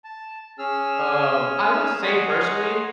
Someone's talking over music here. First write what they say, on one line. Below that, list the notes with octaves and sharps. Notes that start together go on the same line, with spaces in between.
Um, I would say, personally
A5
C#4 G#4 E6 F6
C#5 D#5 F#5 G#5 A#5 C6